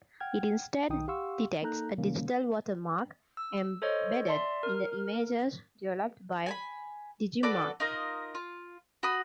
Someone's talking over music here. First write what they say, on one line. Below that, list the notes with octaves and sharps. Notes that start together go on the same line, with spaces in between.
It instead detects a digital watermark embedded in the images, developed by Digimarc.
F#5 G5 F6 G#6
B1 D#3 D#4 G5 D#6
G4 F5 F#5 C6 C#6 E6
A#3 D#4 A4 A#5 F#6 G6
C3 D#3 G3 G#3 A#3 C#4
E6
A4 C5 C#5 D#5
D5 E5 A5 C6
A#4 F6
G#5 A5 B5
F#4 A4 B4 D5
D#4 F4 A#4 D#5
F4
F#4 B5 D#6